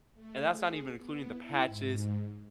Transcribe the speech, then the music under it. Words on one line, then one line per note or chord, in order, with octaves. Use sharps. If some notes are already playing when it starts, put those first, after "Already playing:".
And that's not even including the patches
A3
G#4
B3
E4
G#2